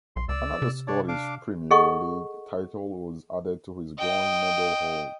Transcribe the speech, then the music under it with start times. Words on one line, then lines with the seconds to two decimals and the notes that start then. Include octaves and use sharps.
Another Scottish Premier League title was added to his growing medal haul.
0.16 B1 C6
0.29 C#2 D5 E6
0.62 C3
0.88 D4 C#5 D5
1.08 D4 F5 D6
1.71 G#4 A4 D#5 F#5 C#6
3.99 D#5 G5